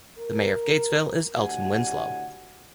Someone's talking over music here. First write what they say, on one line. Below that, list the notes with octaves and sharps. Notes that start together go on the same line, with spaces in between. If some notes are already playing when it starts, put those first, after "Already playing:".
The mayor of Gatesville is Elton Winslow.
A#4
D2 A2 G4 F#5 G#5